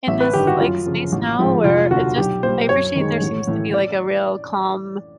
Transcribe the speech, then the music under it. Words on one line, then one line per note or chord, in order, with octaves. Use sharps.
in this, like, space now where it's just" I appreciate there seems to be, like, a real calm,
A1 E5
B4
G2 D#3 G3 G4
F#4
F#2 F4
C#3 F3
A1
G#2 F3 G#3
F1 F4
D#2 D3 F#4
B1 G4
A#2 G3 C5
F#2 C#5
D#3 G#3
A1
A2 E3 A3
D5